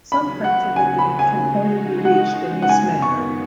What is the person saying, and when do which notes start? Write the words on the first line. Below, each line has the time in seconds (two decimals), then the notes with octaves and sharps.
Some parts of the game can only be reached in this manner.
0.12 D#2 C#3 F#3 B5
0.44 F#5
0.76 G#5
0.99 B5
1.19 G#5
1.41 C#3 G#3 D#4 F#4
2.05 F#5
2.62 F#5
2.69 F#2 D#3 B3 G#5
3.02 C#6